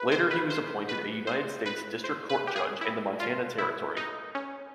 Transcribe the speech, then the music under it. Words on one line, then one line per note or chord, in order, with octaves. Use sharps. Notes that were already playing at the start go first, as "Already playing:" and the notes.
Later he was appointed a United States District Court judge in the Montana Territory.
Already playing: B4
C5
B4
C5
B4
C5
B4
C5
B4
G4
G#4
E4
F4
E4
D#4
C#4